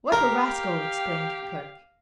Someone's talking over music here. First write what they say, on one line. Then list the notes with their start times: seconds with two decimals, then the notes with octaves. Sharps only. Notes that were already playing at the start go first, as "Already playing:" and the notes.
"What a rascal!" exclaimed the clerk.
0.12 G4 A#4 F5 A#5